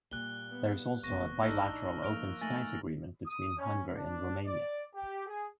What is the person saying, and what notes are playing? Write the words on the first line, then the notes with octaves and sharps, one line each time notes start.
There is also a bilateral Open Skies Agreement between Hungary and Romania.
A#2 G3 F#6 G7
B3
F1 B3 C#6 A#6
A1 D4 D#4 E6 F6
F3 A#3 F6 D7 F7
A3 D#4 G#5 A6 A#6 F#7
D#6
C#4
D4
D5
G4
G#4